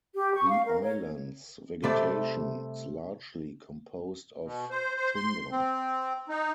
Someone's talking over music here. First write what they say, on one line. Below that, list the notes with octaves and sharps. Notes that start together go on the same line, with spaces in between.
The island's vegetation is largely composed of tundra.
G4
C#6
F5
A#4
C#5
C3 G3 A3 D5
B2
C5
C5
C6
C4
D#4